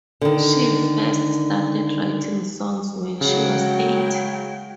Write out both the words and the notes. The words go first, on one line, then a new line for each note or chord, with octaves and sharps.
She first started writing songs when she was eight.
D3 D#3
C#3 F#3 G#3 G5